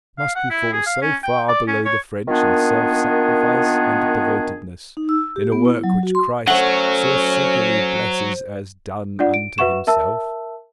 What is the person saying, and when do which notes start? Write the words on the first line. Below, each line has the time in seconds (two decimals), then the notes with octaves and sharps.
Must we fall so far below the French in self-sacrifice and devotedness, in a work which Christ so signally blesses as done unto Himself?
0.19 F5
0.35 F#5
0.50 E4
0.73 G#4
0.86 F5
1.02 C#4
1.24 G5
1.49 D5
1.68 C#4
1.85 C#5
2.27 D#3 A#3 B3 D4 F4 G#4
4.97 D#4
5.09 E6
5.36 G4
5.52 B3
5.65 E4
5.84 F#3
6.03 F#4
6.15 C6
6.47 F#3 A3 C#4 C5 F#5
9.19 D4 F4 D5 F#5
9.34 D7
9.58 F#4 B4 E5 F#5 C#6 E7
9.87 A#4 E5 A5 E6